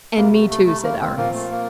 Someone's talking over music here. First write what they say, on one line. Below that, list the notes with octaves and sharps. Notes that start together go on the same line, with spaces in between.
"And me, too!" said Aramis.
C2 C3 G3 A#3
A3
A3
A3
A#3
C4
A#2 F3 A#3 C4 F4
A3
A#3